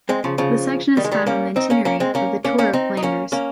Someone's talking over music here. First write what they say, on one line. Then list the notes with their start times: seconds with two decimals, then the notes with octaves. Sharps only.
The section is found on the itinerary of the Tour of Flanders.
0.09 G#3 C4
0.24 C#3 F3
0.38 C#3 F3
0.97 D#3 G3
1.04 G#3
1.11 D#3 G3
1.27 A#3 C#4
1.56 C4 D#4
1.70 A#3 C#4
1.85 A#3 C#4
2.00 G#3 C4
2.15 A#3 C#4
2.44 A#3 C#4
2.59 A#3 C#4
2.73 C4 D#4
2.97 D#4
3.03 A#3 C#4
3.32 A#3 C#4